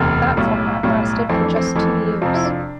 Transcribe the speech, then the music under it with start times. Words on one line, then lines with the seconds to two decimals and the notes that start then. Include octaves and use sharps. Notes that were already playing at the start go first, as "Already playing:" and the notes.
That format lasted for just two years.
Already playing: E1 D2 C3
0.37 B1 A2 G3
0.83 B1 A2 G3
1.29 F2 E3 A3 C4
1.43 D4
1.56 C4
1.75 F2 E3 A3
2.21 F2 C3 F3 C4
2.34 E4
2.44 D4